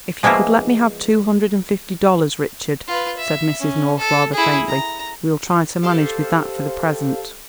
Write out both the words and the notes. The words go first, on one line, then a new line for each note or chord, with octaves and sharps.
"If you could let me have two hundred and fifty dollars, Richard," said Mrs. North rather faintly, "we'll try to manage with that for the present."
F3 G#3 A#3 B3 E4 F4
F4 B4
E5
C#4
A4
E4 G#4
A#5
G4 A4 C5 F5